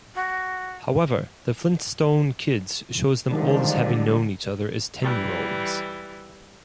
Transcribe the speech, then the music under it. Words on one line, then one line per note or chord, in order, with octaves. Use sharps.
However, "The Flintstone Kids" shows them all as having known each other as ten-year-olds.
F#4
D3 D#3 F3 G3 G#3 D4
E3 G3